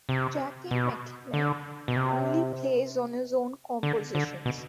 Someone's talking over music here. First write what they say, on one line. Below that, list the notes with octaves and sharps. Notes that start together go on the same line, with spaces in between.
Jackie McLean only plays on his own compositions.
C3
B2
D3
B2
C3
D3
D3
B2